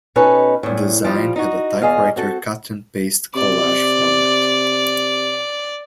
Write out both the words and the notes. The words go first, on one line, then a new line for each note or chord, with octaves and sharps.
The zine had a typewriter cut and paste collage format.
B2 C#4 D#4 A4 B4
E2 A2
F3 G3 F4
D#4 F#4
E2 G#4 D#5 F5
C4 F#4 A4
C3 D5